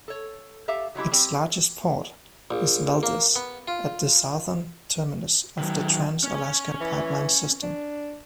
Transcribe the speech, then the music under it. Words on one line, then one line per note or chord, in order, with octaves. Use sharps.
Its largest port is Valdez, at the southern terminus of the Trans-Alaska Pipeline System.
A4 C#5
G4 A4 E5 F5
F#3 G#3 E4 G4
G3 C4 G4
A#1
A#3
B3
F4
D#3 F#3
C#4
E3
D4